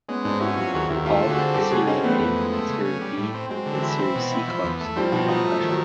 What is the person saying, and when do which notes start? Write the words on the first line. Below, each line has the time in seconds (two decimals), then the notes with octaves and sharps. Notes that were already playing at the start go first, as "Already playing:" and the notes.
All Serie A, Serie B and Serie C clubs are professional.
0.08 G#3 B3 C#4
0.25 G#2 C4 D4
0.40 C#4 E4 F#4
0.57 F#3 F4 G4
0.74 D#2 F#4 G#4
0.89 D#2 E4 F#4
1.06 A3 F4 G4
1.22 D3
1.30 F#4 G#4
1.39 C4
1.54 G3 G4 A4
1.71 C#3 F#4 G#4
1.87 C4 C#4 D#4
2.03 E3 A3 B3
2.20 F2
2.36 G#3
2.52 A3
2.68 C#3
2.85 C#4
3.01 G3
3.17 A2
3.34 C4
3.49 F#3 G#3 C4
3.66 D3
3.74 E3 F#3
3.82 E4
3.98 C4
4.15 B2
4.31 E4
4.48 F3
4.64 E2
4.80 A3
4.96 F3 G3 C4
5.12 B2 F3
5.22 F#3
5.28 F3 D#4
5.45 A3
5.61 D#3
5.70 F#3